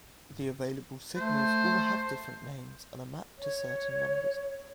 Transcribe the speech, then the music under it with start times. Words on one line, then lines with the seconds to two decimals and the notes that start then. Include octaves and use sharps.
The available signals all have different names, and are mapped to certain numbers.
1.17 A3 C5
3.39 C#5